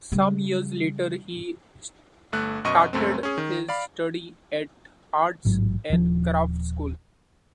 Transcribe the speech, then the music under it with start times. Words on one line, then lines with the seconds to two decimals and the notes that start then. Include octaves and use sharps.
Some years later he started his studies at Arts and Crafts School.
0.12 C#3 G3
2.32 G1 A3 F#6
2.64 F#2 B2 D#5 C#6 D#7
2.93 C#2 F#2 A3 C4
3.23 C#4 G#4
3.38 D#3
3.69 D5 F5 B5
5.45 A1 G#2 F#3
5.90 D#1 F3